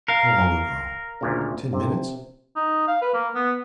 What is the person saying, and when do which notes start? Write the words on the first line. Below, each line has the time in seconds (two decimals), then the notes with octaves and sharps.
How long ago? Ten minutes?
0.08 A#4 F5
1.21 D2 A#2 C#3
1.73 C3
2.56 D#4
2.88 F5
3.02 B4
3.14 A#3
3.35 B3